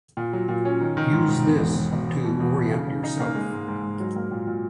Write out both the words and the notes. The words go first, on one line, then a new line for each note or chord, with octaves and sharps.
Use this to orient yourself.
A#2
F#3
A#2
C#4
D#3
D#3
G#2
G#2
E2
E1
E1
E1
E2
B2
E2
B2
C#3
C#3
D#4
A#3
G#3
G#2
G#2
G#2
F#3
A#3
A#2
A#2